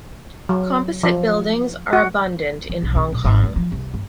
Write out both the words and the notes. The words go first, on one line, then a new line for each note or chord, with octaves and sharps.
Composite buildings are abundant in Hong Kong.
F#3
F3
F#4
E3
B1
C#3
A#1
G#1
D2
F3
C2
G1